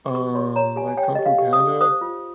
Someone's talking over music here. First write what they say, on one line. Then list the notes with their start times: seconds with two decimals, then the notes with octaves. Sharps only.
um, like Kung Fu Panda.
0.14 G4 C#6
0.35 C#5 C6
0.56 C#5 A#5
0.76 G4 G#5
0.88 G#5
0.97 C#5 G5
1.15 G4 D#5
1.26 F5
1.39 G4
1.53 D#6
1.60 G4
1.81 C5 D#6
2.01 F4